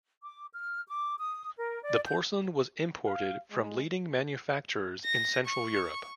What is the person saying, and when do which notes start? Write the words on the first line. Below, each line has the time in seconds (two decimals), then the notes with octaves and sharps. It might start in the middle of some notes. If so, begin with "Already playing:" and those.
The porcelain was imported from leading manufacturers in central Europe.
0.23 D6
0.55 F6
0.88 D6
1.19 D#6
1.57 A#4
1.83 D5
2.05 G6
3.06 F5
3.51 G#3
5.05 A#6
5.46 C#6